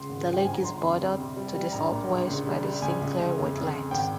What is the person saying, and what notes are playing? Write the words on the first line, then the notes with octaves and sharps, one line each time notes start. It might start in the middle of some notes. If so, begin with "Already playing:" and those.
The lake is bordered to the southwest by the Sinclair Wetlands.
Already playing: C#2 C6
G#1
F3
G5
G2 G#5
A#5
G1 C6
F2
G3
C3
G3
G3
A#1 A#5
A#2
A#1
C#2
G3
G3
C#2 G#5
C#2
C#2
F2
F2
F2
G#1 G5